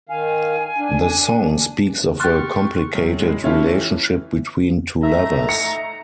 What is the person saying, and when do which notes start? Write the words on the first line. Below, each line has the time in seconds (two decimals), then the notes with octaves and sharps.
The song speaks of a complicated relationship between two lovers.
0.09 D#3 F5 G#5
0.78 D4
2.20 G4 C6 C#6 F6 F#6 A6
2.95 F#2
3.20 A2 G#3
3.44 C#4 E4 F4 G4 A4
3.63 E3
5.03 A3 D#4 E5 A#5
5.49 C#7